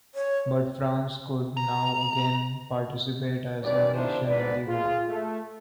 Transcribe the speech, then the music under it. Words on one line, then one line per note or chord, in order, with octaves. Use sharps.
But France could now again participate as a nation in the war.
C#5
A#5
E2 G2 D#3 C#4 B4 D5
C3 D#3 F3 D4 E4 C5
D2 G#2 B3 B4 D5
F4 G#4
A3